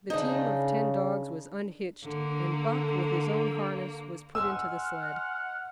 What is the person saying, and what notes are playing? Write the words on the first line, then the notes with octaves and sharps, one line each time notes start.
The team of ten dogs was unhitched, and Buck, with his own harness, was put into the sled.
C#3 D4 D#4
D3 A#3
D#5 F#5 G#5 C6 E6 F6